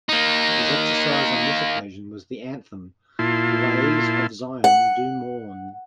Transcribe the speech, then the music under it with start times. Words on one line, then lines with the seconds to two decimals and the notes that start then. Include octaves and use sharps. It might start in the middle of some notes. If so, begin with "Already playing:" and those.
His exercise on this occasion was the anthem, 'The ways of Zion do mourn.
0.09 A#3 D#4
3.19 A#2 E4 F4 A5 C6
4.64 F#5